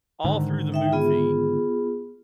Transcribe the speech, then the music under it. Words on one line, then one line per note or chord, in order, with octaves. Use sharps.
all through the movie,
G#2 D3 D#3
D#4 E5 G5
B3 F4 G#4